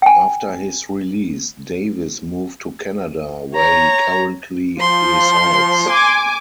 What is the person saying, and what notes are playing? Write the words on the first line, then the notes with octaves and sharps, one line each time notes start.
After his release, Davis moved to Canada, where he currently resides.
G5 G#5
C#5 A#5
F3 C6
G#5 D6